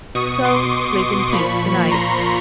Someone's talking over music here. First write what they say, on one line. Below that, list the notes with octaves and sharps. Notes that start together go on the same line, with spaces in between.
So sleep in peace to-night.
B2 C#6 D#6
C6 D6
A#2 F3 B5 C#6
A#5 C6